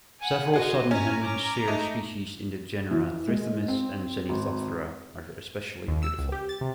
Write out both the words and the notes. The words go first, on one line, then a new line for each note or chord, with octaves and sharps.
Several Southern Hemisphere species in the genera "Trithemis" and "Zenithoptera" are especially beautiful.
F#5 G#5
F#4 G#4 C5 D#5
C#4 G#5 A#5
A#5 D6
A3 D#4
E3
G#3
C4
G#1
D#2
E6
C#2
G4
A6
C3